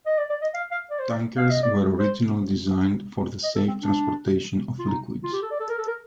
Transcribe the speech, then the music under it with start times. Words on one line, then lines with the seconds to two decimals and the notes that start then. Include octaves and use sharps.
Tankers were originally designed for the safe transportation of liquids.
0.06 D#5
0.18 D5
0.30 D5
0.42 D#5
0.54 F5
0.71 F5
0.91 D5
1.00 C5
1.10 D5
1.38 F5
1.50 D#5
1.63 D5
1.99 C5
3.44 D#5
3.55 A4
3.68 C4
3.80 D4
4.79 F4
4.88 D#4
5.24 F4
5.33 G4
5.42 A4
5.51 D5
5.60 A4
5.70 A#4
5.79 A4
5.88 A#4